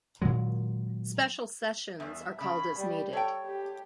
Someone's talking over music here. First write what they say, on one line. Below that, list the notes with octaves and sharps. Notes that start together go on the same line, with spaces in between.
Special sessions are called as needed.
A#2 D#3 F#3 G#3
E2 G2 E5
C#3 B5
G3
A4 C#5 G5
G4